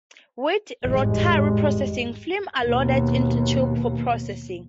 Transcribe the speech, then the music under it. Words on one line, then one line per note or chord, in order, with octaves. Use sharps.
With rotary processing, films are loaded into tubes for processing.
G#1 F2 A2 G3 G#3
D#2 B2